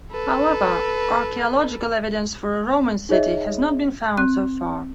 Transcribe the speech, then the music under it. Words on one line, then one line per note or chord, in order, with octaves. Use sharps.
However, archaeological evidence for a Roman city has not been found so far.
A4 B4
D#4 G#4 C#5 D#5 E5
C4 F#6